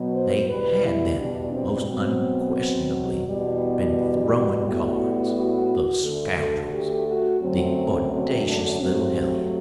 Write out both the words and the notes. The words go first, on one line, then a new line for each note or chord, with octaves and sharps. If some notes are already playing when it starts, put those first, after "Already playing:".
They had, then, most unquestionably, been "throwing" cards, the scoundrels! the "oudacious" little hellions!
Already playing: B2 F#3 B3
C5
E2 B2 G3 B4
E4
D4
C4
B2 F#3 B3 C4
E2 B2 G3 B3
A2 G3 B3 F#4
D2 D3 A3 A4
A4
G4
F#4
F#2 D3 F#3 A3 C4
C4
D4
G2 F#3 A3 C4